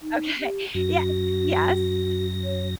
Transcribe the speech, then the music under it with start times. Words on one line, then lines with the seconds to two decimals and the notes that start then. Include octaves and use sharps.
Okay. Yeah Yes.
0.01 D#4
0.41 G4
0.74 F#2 F#4 A#6
2.44 C#5